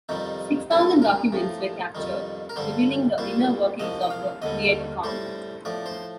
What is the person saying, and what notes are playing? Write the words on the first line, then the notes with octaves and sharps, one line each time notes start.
Six thousand documents were captured, revealing the inner workings of the Viet Cong.
F2 C3 D#3 G3 D#4
C2 C3 G3 A4
A#4
A2 F3
F2 D#3 G3
A#4
G2 D3 G3 C5
C2 A#2 G3 C5
C2 C3 F3 D#5
G5
F5
D#2 D3 G3 D#5
A2 G3 C5
A2 F3 D5
C5